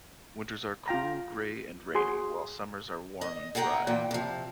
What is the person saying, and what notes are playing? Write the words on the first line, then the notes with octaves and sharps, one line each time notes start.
Winters are cool, gray and rainy, while summers are warm and dry.
F4 G5 A#5
F#4 G#4 C6
D#5
G#4 F#5 G5 A5 A#5
A#2 E3 G5
C3 F3